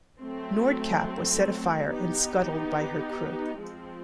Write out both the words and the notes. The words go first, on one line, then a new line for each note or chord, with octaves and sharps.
"Nordkapp" was set afire and scuttled by her crew.
F#3 A3 C4
B3 D#4 G4
F3 G#3 C4